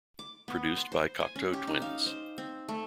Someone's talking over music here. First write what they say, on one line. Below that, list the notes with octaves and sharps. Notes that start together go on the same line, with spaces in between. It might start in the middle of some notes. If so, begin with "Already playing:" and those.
Produced by Cocteau Twins.
D6
B3
C6
C5
G#5
C#4
G4
D#4
F5
C5
C4
A3